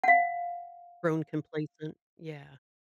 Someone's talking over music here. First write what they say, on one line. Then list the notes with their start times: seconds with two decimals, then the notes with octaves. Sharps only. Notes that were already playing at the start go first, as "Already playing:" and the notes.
Grown complacent, yeah.
0.04 F5 F#5